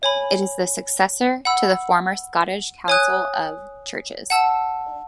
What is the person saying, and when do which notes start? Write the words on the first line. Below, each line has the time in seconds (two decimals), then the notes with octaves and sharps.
It is the successor to the former Scottish Council of Churches.
0.03 C#5 G#5 B5
1.45 F#5 B5 E6
2.88 C#5 G#5 D#6 F#6
4.30 F#5 A5 E6